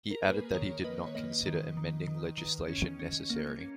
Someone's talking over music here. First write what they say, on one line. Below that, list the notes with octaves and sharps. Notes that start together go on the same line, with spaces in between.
He added that he did not consider amending legislation necessary.
A#4
A#3 G#4 B4
D#3 A#4 C#5
A#3 B4 D#5
C#5
A#3 B4 D#5
D#3
D#3
D#3
D#3
C#4
C#4
A#3
C#4